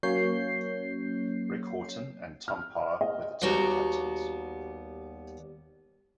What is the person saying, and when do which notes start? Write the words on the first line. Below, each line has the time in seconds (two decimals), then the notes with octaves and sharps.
Rick Horton and Tom Parr were the team captains.
0.03 F#3 A#3 C#4 C#5 G6 C7
2.48 F6
3.01 D#5
3.42 D#2 G3 B3 F#4 A#5